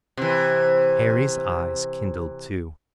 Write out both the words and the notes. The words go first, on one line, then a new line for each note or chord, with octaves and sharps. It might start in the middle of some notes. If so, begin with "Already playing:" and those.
Harry's eyes kindled, too.
C3 E3